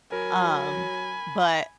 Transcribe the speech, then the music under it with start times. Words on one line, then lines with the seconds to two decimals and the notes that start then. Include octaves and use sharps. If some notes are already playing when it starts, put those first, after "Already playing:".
um but,
0.12 F#3 A#4 G#5 B5